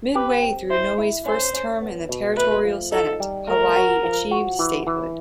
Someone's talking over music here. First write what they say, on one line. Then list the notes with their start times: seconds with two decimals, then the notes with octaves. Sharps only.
Midway through Inouye's first term in the territorial senate, Hawaii achieved statehood.
0.15 G4 B4
0.42 C4
0.70 E4 C5
0.98 E4
1.26 C#4 C5
1.53 C#4
1.81 B3
2.09 B2
2.37 A3 B4
2.65 F3
2.92 D#4 A4
3.20 G3
3.48 A3 A#4
3.76 F#4
4.03 F3
4.31 F#4
4.59 E3
4.87 E3